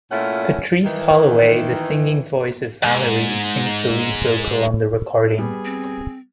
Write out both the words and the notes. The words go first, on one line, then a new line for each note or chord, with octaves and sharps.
Patrice Holloway, the singing voice of Valerie, sings the lead vocal on the recording.
A#2 A3 C#4 E4 F4 F#5
D#3 E3
D#2 G#2
G3 B3 G#4
C4